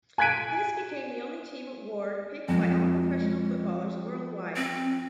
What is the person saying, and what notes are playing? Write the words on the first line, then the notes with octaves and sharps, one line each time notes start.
This became the only team award picked by all professional footballers worldwide.
G#5 F#6 G#6 B6 D7 D#7
F2 G#3
C4